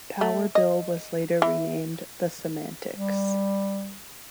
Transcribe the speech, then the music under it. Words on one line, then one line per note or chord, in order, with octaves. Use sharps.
Power Bill was later renamed The Semantics.
A3
D#5
E3
G3